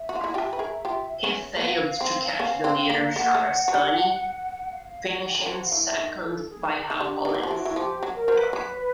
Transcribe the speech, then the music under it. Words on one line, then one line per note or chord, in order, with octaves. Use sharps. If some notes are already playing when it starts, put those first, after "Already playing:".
He failed to catch the leader Shahrastani finishing second by half a length.
Already playing: E5
F#4
F4
E4 F#4
F4 G4
B4
G#4 A#4
F4 G4
B3 C#4
A#3
B3 F5
C4
B3 C#4
C4
A#3
A#3 F#5
A3
F#3
G3
F5
F5
F#5
G5
F#3
F3 F#5
F5
E3
F5
E5
E3
D#3
D#5
A4
G#4
D#3
D3 G4
D#3 G4
F#3
F3
E3 F#4
E3
F3 G4
F#3
A#4
F#3 C5
B4
F#3